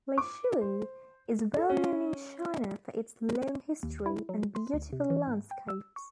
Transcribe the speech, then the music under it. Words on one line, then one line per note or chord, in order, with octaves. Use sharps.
Lishui is well known in China for its long history and beautiful landscapes.
D6
C5
A4
C#4
D#2
E4
F#3
C6
D2
C3
E3
G#2
G5
E6
C#6